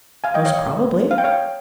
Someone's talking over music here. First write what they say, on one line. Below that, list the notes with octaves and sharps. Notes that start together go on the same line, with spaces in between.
"Most probably."
F5 G#5
D#5 G5
C#5 F5
D#5
C#4 G4 A#4 C#5
F5
G5
C#5 F5